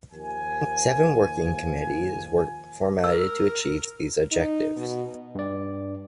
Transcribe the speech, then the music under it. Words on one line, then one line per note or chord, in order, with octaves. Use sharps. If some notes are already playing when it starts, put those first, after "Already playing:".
Seven working committees were formed to achieve these objectives.
D#2 F3 G#5
A#4 E6
D#4
B2
G2 D5